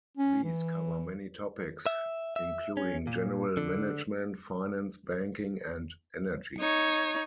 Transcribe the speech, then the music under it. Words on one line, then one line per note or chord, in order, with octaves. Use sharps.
These cover many topics including general management, finance, banking and energy.
C#4
E3
E5
E5
C#4
A#2
D3
D#4 C#5